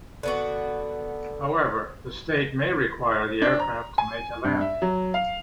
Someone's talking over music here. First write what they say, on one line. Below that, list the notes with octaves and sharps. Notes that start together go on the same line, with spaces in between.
However, the state may require the aircraft to make a landing.
D3 B3 F#4
D4
A#5
G#5
G2
E5
F#3
F5